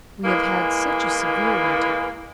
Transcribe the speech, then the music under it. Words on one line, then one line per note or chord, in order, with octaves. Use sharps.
We have had such a severe winter.
E3 G#3 A#3